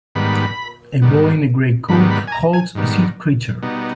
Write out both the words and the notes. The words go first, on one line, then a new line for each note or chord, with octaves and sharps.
A boy in a gray coat holds a sea creature.
G#2 D#3 G3 B3 B5
G#2 D#3 G3 B3
G#2 D#3 G3 B3 B5
B5
G#5
A#5
G#5
G#2 D#3 G3 B3
B2 G3 B3 D#4